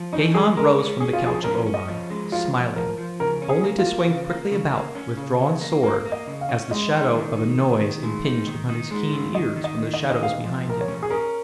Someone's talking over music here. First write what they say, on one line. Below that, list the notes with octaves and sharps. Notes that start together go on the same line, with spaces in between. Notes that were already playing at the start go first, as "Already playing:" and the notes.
Gahan rose from the couch of O-Mai, smiling, only to swing quickly about with drawn sword as the shadow of a noise impinged upon his keen ears from the shadows behind him.
Already playing: F3
C#4 D#4
G#3 G#4
G#3 A#4
C#4
C#4 G#4
F4
F3 G#4
C#4 A#4
C#4
D#5
F3
G#3
F3 F4
F3
F3 A#4
F3
C#3 A#4
C#4
G#4
A#3
F4
A#3
C#3
A#3
C#3
A#3
C#4
C#3
C#3
A#3
A#3 A#4
A#3
D#5
C#3
F5
C#4
G#3 D#5
D#4
D#3
D#4
D#3
D#3
G#3
D#4
D#3
D#4
G#3
D#3
D#3 D#5
D#3
D#5
D#3
D#5
D#3
D#5
A#2 F5
F3
A#2 A#4
C#5
C#4
G#4
C#4 A#4